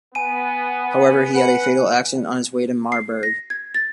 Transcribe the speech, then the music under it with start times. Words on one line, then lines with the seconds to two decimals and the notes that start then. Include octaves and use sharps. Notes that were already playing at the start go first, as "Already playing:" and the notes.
However, he had a fatal accident on his way to Marburg.
0.15 B3 G#5 D#7
1.34 B4 F#5
2.92 C7
3.23 A#6
3.50 G#6
3.74 A6